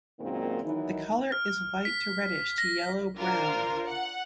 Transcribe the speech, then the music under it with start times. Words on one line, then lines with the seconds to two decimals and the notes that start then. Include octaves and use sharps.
The color is white to reddish to yellow brown.
0.19 F#2 A#2 D#3 G#3 A#3 C4
0.63 D#3 E3 F#3 D#4
1.32 F6
1.85 B6
2.58 A#6
3.16 D4 F4 A#4 C5
3.86 F#5